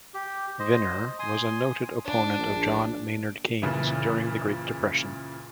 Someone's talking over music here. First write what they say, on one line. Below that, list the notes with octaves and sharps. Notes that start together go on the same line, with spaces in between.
Viner was a noted opponent of John Maynard Keynes during the Great Depression.
G4
C5 D#5
G#5 C6 D#6
D4
A#1
F#1 A#2 C#3 E3